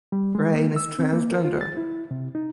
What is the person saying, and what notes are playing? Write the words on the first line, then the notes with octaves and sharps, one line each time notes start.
Raine is transgender.
G3
G#3
A#3
E6
C4
A#3
A#4
F4
A6
E4
C3
D#4